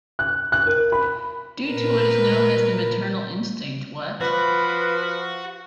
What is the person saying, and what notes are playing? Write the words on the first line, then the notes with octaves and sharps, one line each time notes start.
Due to what is known as the maternal instinct, what?
F#6
F#6
A#4
B5
A#2 A#4 B4
F3 F#4 B4